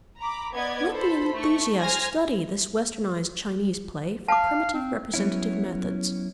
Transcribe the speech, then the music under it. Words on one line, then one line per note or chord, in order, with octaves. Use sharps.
Let the enthusiast study this westernized Chinese play for primitive representative methods.
A#5 B5 D6
B3 B4 D5 D#5 G#6
A4 C5 B5
A3 C#6
C5 G#5 F6 G#6 A#6
F5 A5 D6
C4
F#3 B3 C#4 E4